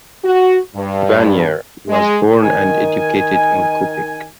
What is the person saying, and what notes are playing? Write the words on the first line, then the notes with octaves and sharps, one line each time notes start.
Vanier was born and educated in Quebec.
F#4
G2
G#3
D#3 G#5